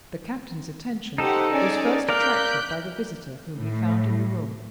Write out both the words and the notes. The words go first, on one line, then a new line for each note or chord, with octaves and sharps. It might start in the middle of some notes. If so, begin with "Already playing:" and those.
The Captain's attention was first attracted by the visitor whom he found in the room.
D#4 G4 A4 C5 F#5
C#4 G#4 D5
A#4 D5 F5 F#6 G6 B6
A2